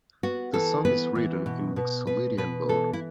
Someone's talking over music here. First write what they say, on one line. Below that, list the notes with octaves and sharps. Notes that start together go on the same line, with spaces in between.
The song is written in Mixolydian mode.
B3 F#4
E3 A4
B3 B4
E3
B2
B2
B2 B4
B2 B4
E3 A4
E4